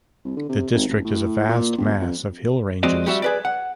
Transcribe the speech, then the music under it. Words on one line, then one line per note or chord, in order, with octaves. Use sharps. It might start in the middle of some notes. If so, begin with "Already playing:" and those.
The district is a vast mass of hill ranges.
C2
D3
C3
G#1
A1
A2
A#2
G1
F2
F3 G#3 C4 F#4 D5 D#5
G3 F#4 E5
G#4 B4 D5
F#5